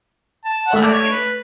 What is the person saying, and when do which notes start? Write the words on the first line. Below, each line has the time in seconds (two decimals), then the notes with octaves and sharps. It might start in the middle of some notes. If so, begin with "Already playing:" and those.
Well and I guess
0.45 A5
0.67 F#5
0.73 A3 E5
0.83 D5
0.92 C#5
1.11 B4